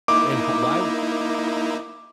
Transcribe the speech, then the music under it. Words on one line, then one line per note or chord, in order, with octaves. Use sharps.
And ho why
A#3 D#4 E4 D6